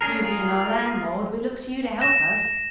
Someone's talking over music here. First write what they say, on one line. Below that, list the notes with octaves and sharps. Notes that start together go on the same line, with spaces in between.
You being our landlord, we look to you to help us.
C#4 D4 G#4 A#4
F4 G#4 A#4
A#6 E7